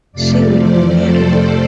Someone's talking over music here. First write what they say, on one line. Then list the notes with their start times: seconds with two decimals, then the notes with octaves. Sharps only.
She will be married!
0.12 F2 C3 F3 A3 D5
0.57 C5
1.01 A4